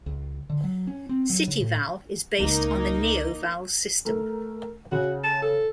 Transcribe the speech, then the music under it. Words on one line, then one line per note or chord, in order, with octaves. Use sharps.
CityVal is based on the NeoVal system.
C#2
D3
F#3
C#4
C4
F#3
C#3
A2
C#2 A#3 C#4 D#4
A3 A#4
C#3 F#4
A5
A4